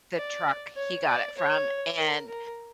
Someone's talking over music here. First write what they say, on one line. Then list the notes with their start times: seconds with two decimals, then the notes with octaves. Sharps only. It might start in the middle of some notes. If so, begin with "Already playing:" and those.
the truck he got it from, and
0.16 D5
0.76 C#5
1.07 D5
1.37 C#5
1.98 A#4
2.28 A#4